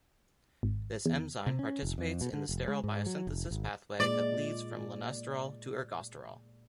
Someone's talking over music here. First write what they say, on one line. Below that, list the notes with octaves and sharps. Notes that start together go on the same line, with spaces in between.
This enzyme participates in the sterol biosynthesis pathway that leads from lanosterol to ergosterol.
G#1
E2
C3
C#4
F1
F2
B2
D3
F1
G#3
G#2
F#3
F1
G#1
A#2 G#3 D5